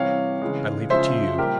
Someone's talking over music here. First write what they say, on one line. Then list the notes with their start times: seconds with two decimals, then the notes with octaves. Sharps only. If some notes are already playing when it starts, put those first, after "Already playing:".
I leave it to you.
Already playing: C3 E3 G3 C#5 F5
0.42 C#3 E3 G#3
0.90 C#3 F3 G#3 C5 E5
1.38 A#2 G3 G4 A#4